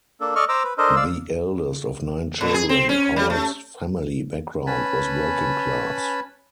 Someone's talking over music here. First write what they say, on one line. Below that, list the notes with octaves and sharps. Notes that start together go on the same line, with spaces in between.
The eldest of nine children, Howard's family background was working class.
A#3 D4 A4
A4 D5 D#5 C#6 F6
C5 A#5 D6 E6
B4
D4 A4 A#4 C5 D#5
D5 F5 E6
A#2
G#4
C4
C#4
G3
A3
C#4 B4 G#5 A5 B5